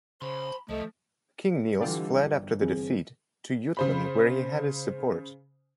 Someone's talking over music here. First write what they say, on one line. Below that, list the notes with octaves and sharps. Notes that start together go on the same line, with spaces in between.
King Niels fled after the defeat to Jutland where he had his support.
C#3 C5 B5 C6
C2 F3 A3 D#5
D3 E3 G3 F4 G4 D5
G1
E3 C4 G#4
C#3 C5 B5